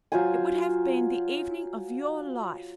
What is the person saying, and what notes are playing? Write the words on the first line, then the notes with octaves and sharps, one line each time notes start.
It would have been the evening of your life.
F#3 F4 C5 G#5